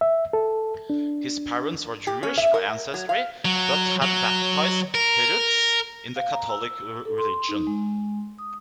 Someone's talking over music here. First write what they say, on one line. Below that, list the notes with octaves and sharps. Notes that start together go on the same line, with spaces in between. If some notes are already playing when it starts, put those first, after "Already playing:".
His parents were Jewish by ancestry, but had baptised Perutz in the Catholic religion.
E5
A4
D4
G4
C#4
E5
A#4
F#3
F5
F#3
F#3
A#4
F5
A#5
E6
A4
C6
D#4
G#3
D#6